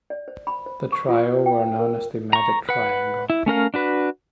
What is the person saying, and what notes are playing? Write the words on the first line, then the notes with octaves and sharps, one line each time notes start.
The trio were known as the "magic triangle".
D5
C5
B5
C5
C#6
F4
G5
C5
A#4
A#5 C#6
B4 F#5
E4
A3 C#4 A#4 F5
D4 F#4 B4